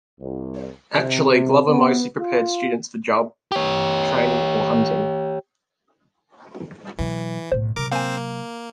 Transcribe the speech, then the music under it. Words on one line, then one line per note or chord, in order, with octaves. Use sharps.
Actually, Glover mostly prepared students for job training or hunting.
C2
C3
B3
F4
G4 C#5
B2 E3 F#3
B1 A2 C5
C3 F#3 A#4 D6
A#3 C4 C5 F5 G#5
A#3